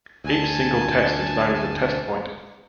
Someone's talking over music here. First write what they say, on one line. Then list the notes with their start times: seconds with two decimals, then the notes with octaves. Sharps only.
Each single test is known as a Test Point.
0.24 D2 G#5 A5